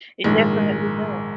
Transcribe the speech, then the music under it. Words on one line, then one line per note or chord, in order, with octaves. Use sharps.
it definitely does.
A#1 G#2 D#3 G#3